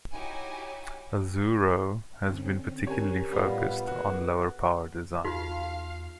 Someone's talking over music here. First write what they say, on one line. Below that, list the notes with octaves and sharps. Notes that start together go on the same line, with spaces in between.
Azuro has been particularly focussed on lower power design.
D#4 E4 F#4 G4 C#5 G#5
D3 C4 C#4
G4 A#4 C#5 G#5
A2 G3 B3 F4 C#5 D#5
F#4 G#4 A#4
E2 D#4 F4 F#4 F5